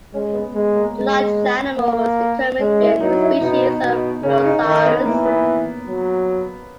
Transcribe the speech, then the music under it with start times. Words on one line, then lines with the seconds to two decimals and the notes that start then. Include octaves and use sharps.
The large animal was determined to be a new species of "Pliosaurus".
0.13 G#3 C#4
0.34 B3
0.54 G#3
0.76 A#3
0.96 G#3
1.78 A#3
2.59 G#3 C#4
2.80 E4
3.01 F#3 D#4
3.21 E4
3.41 B2 D#4
3.82 B2
4.23 C#3 C#4
4.44 D#4
4.64 D#3 D#4
4.86 B3
5.05 E3 A#3
5.25 B3
5.87 F#3